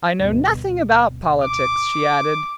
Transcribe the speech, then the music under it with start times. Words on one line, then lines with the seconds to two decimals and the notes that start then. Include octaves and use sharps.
"I know nothing about politics," she added.
0.20 D2 G2 B2
1.41 D6